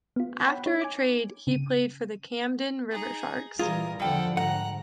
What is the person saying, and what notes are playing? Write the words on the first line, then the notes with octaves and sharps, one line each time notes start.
After a trade, he played for the Camden Riversharks.
B3 F4
C#5 F#5 G5 B5
D#4 C#5
G#5 D6
C#3 D#7
D#4 G#4
A#2 E3 G3 F4 G#4 A#4
E2 D3 F3 G3 A4 F#5 G5
G#2 F#5 A#5 F#6